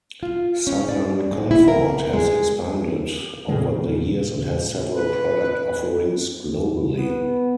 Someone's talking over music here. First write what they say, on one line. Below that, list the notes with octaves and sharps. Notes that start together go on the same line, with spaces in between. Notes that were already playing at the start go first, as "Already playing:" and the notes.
Southern Comfort has expanded over the years and has several product offerings globally.
F4
C#4
D5
G#3
E4
A#4
G#3
A#2 C#3 G#3
B4
B3